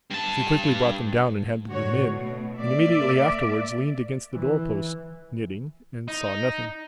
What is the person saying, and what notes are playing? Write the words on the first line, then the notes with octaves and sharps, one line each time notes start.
She quickly brought them down and handed them in;--and immediately afterwards leaned against the door-post, knitting, and saw nothing.
G2 A5
A2 D3 F#4 C#5
B2 A3
A#3 D5 E5
E3
D#4